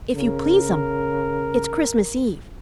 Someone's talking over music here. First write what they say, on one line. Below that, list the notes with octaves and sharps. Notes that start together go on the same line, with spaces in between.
"If you please'm, it's Christmas Eve."
C#3 A#4